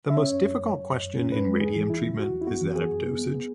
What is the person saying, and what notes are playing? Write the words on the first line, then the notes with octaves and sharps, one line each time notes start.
The most difficult question in radium treatment is that of dosage.
E5
C#4 C#5
F#2
F#2
F#2
F#2
F#2
F#2
C#4
E2 B4
G#3
E2 G#4
E3
E2 E4
E2
E2 F#4
E2
E4
B3 F#4
E3
F#4
B3 G#4
F#2
B3
B3
B3